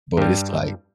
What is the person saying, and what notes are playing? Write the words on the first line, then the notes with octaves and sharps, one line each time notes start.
but it's, like
G2 G3